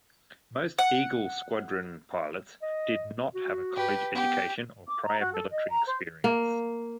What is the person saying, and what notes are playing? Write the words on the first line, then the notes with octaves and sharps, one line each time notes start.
Most Eagle Squadron pilots did not have a college education or prior military experience.
F#5
D#5
F#4
G4 B4
B3 G4
D6
A#5
F#4
A4
D#5
A#5
C5
A#3